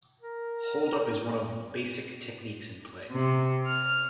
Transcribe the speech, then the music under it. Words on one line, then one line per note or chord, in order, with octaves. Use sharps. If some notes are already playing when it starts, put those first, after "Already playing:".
Hold up is one of basic techniques in play.
A#4
C3
F6